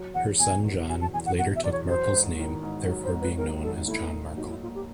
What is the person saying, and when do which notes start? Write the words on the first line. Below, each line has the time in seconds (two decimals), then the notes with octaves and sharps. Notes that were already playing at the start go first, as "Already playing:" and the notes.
Her son, John, later took Markle's name, thereafter being known as John Markle.
Already playing: F#3
0.14 E2 F#5
0.39 B2 G#5
0.65 E2
0.89 F#3 G#5
1.01 A5
1.14 E2 G#5
1.26 F#5
1.39 B2 F#5
1.56 E5
1.64 E2 D5
1.72 C#5
1.89 F#3 C5
2.13 G#2
2.38 D#3
2.63 G#2
2.88 F#3
3.04 C5
3.13 G#2
3.21 B4
3.38 D#3 A#4
3.63 G#2 A4
3.87 A3 E4
4.12 A#2
4.37 F#3 D#4
4.50 E4
4.62 A#2 F4
4.75 G4